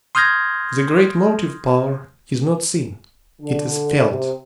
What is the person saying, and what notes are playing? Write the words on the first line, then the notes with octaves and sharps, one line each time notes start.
The great motive power is not seen; it is felt.
C6 D#6 F6 G6 G#6 A#6
D3
C3